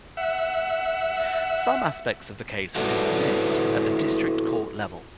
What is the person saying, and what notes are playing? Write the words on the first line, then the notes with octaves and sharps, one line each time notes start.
Some aspects of the case were dismissed at the District Court level.
E5 F#5
E4 F#4 A4 B4 C#5 D5